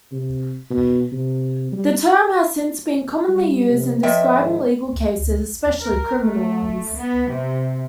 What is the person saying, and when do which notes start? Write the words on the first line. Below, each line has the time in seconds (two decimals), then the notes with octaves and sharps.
The term has since been commonly used in describing legal cases, especially criminal ones.
0.12 C3
0.70 B2
1.12 C3
1.73 G3
3.29 G3
3.69 F2 C3
4.03 F2 B4 C#5 D#5 E5 G5
4.35 G#1
5.81 A#4
6.22 A3
6.96 B3
7.28 C3